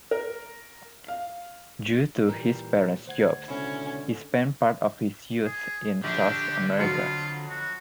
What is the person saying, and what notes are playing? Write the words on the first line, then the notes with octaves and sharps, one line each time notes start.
Due to his parents' jobs he spent part of his youth in South America.
A#4
F5
A#2 E3 G3 A#4 A#5
D2 C5 F#5 G#6
C#2 B2 D3 C#4 E4
G#4
A#1 D3 D4 G4
F2 F#3 F4 C#7
F#4